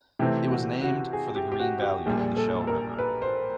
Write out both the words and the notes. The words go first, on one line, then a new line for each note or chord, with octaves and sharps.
It was named for the green valley of the Shell River.
C3 E3 A3 C4 G4
F#4
F#4
G#4
G4
G4
F#4
G4
A#1 A#2 G3 G#4
A4
A#4
B4
C5